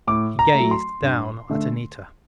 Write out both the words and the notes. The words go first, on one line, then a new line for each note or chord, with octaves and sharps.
He gazed down at Anita.
A2 D6
A#5
A3
F#3
C6
G2
D3 A3